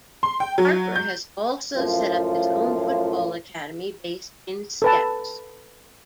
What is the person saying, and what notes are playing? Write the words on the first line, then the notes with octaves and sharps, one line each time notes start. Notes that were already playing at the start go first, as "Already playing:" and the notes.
Harper has also set up his own football academy based in Stepps.
C6
G5
F#3
G6
F#2 A2 F3 F4
A4 B4 A5